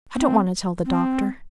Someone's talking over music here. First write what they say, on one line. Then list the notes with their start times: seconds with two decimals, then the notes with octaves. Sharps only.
I don't want to tell the Doctor.
0.17 C4
0.86 C4